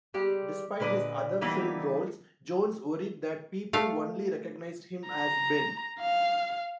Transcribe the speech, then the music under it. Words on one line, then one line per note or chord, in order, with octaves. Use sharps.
Despite his other film roles, Jones worried that people only recognized him as Ben.
G3 G#3 G4
A#2 D3 B4 D5 D#5
E3 G3 A#3 B3 D#4 E4
A3 F5
A#5
F5